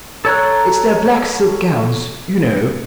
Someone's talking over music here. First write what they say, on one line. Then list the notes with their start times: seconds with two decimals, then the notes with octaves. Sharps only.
"It's their black silk gowns, you know."
0.25 A4 C#5 A#5 F#6